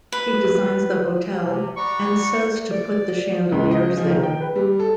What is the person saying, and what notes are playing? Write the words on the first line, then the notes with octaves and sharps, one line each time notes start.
He designs the hotel and says to put the chandeliers there.
B4
C3
D5 F#5 A#5 B5 C#6
D5
C#2
D#5
F3
D#3
G5
B4
G3
A4